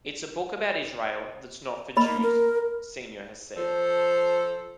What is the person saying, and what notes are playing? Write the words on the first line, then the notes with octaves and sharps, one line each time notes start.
"It's a book about Israel that's not for Jews," Senor has said.
A#3 D#5 B5
A#4
F3 A4 C5